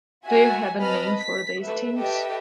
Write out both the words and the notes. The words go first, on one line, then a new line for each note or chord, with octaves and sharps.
Do you have a name for these things?
F#4 E5 F#5 G#5
C4 B4 D#5 A5 B5 F6
B6
A3 B4 E5
G4 A4 B4 D#5 E5 G5